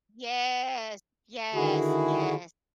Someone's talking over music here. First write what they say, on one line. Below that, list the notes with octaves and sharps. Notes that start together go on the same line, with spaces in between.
Yes. Yes, yes.
D3 D#3 E4 F#4 G#4